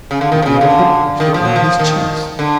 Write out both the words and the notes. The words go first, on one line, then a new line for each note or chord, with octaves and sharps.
But what of the pressure on his chest?
C#3
D3
D#3
C3
C#3
D3
D#3
F3
F#3
F3
D#3
D3